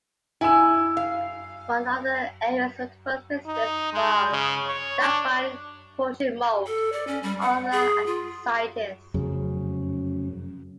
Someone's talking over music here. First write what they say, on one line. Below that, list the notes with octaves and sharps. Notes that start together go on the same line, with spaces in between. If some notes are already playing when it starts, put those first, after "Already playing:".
One of the area's notable residents was Daphne Pochin Mould, author and scientist.
E4 G#5 E6
F5
D#4
G#3
C#3
C#5
D4
A4
D5
C#4
G3
F#5
G#4
F4
F1 F#2 C#3